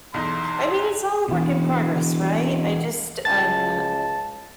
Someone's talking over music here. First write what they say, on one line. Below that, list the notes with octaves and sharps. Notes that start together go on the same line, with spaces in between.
I mean, it's all a work in progress, right? I just, um
B1 E2 D#4 C6
B2 E3
C#2 A5 A6